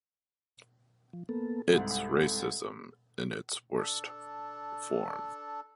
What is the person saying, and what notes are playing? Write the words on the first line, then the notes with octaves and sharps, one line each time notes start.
It's racism in its worst form.
F3
A#3 B3 A4
C2 G#2 A4
D4 A4